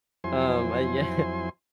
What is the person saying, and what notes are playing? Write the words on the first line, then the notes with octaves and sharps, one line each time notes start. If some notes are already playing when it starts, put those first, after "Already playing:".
Um, uh yeah.
F2 F#3 E4 C5 G#5 C6